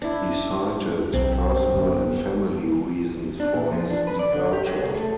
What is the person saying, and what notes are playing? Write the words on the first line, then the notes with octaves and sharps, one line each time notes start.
He cited personal and family reasons for his departure.
D4 E4
B1 C4
G1 B3
D4
A#2
F3
D4
B4
D5
D3
G4
F#3
G#4
A3